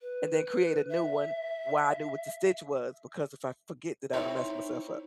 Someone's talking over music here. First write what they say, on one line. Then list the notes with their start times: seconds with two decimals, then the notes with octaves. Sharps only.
and then create a new one while I knew what the stitch was because if I forget, then I'd have messed myself up,
0.01 B4
0.89 E5
4.13 C4 D#4 E4 C5 C#5